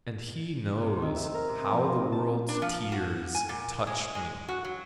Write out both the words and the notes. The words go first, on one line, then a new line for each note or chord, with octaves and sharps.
And He knows how the world's tears Touched me.
C3
D#3
E5
A#4
C3
F3
D#4
A5
D4
F3
F#4
G#5
A#2
G#3
G#3
F#4
F#3